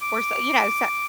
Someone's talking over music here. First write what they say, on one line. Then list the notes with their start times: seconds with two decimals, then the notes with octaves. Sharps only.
or so you know, s
0.01 D6